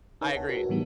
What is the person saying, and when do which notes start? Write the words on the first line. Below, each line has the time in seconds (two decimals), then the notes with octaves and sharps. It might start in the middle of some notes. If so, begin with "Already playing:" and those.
I agree,
0.21 D#4 A#4 B4 C#5 E5
0.35 C#2 C#5 F#5 G#5 A5
0.49 F#4 A#4 B4
0.69 A2 E3 G3 B3 D#4 G4